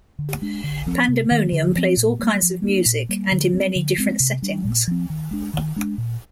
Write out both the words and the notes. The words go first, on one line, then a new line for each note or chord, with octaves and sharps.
Pandemonium plays all kinds of music and in many different settings.
D3
G#3 D4
D3
F3 C4
C3
D#3 A#3
D3
F3 C4
A#2
G3 A#3
F3
A#3 D4
A#2
G3 A#3
D3
G3 C4
D3
G#3 C4
C3
G3 D4
A#2
F3 C4
D#3
G#3 D4
D#3
G#3 D4
A#2